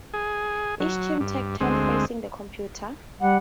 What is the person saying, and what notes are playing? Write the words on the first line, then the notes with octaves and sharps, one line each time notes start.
Each team takes turns facing the computer.
G#4
F#3
G2
D2 G#3 C4
G3 F#5